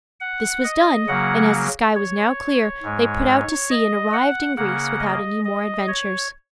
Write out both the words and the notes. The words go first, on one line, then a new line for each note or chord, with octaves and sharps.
This was done, and as the sky was now clear they put out to sea, and arrived in Greece without any more adventures.
F#5
D#5
C#3 F#3 A#3 F#5
C#5
G#2 G#3
C#5
D#5
F#5
C#3 A#3 F#5
D#5
D#5
C#5